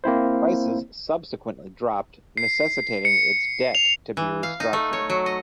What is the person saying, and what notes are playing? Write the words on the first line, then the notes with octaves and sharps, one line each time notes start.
Prices subsequently dropped, necessitating its debt to be restructured.
A#3 C4 E4 C5
C7
C#7
F7
E3
F5
D#4
A3
C#5
F#3
D#5